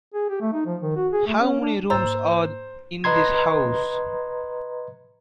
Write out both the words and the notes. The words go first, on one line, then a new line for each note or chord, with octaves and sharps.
How many rooms are in this house?
G#4
G4
A3
D#4
F3
D#3
F#4
G#4
A3
C#4
D4
G#2 A#3 C5 A#5 E6 A6
B4 D#5 A#5 C6 G#6